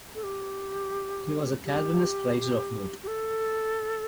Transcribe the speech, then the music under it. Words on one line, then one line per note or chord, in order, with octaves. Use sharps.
He was a Calvinist writer of note.
A4
G4
G4
G4
A4